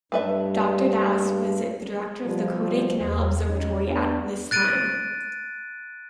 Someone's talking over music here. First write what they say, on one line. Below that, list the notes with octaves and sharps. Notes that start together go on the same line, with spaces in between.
Doctor Das was the director of the Kodaikanal observatory at this time.
G2 A3 B4 E5
B2 F3 G3
E2 A3
F#3 C#4 D#4
B3 D4
F#6 A6 D7 D#7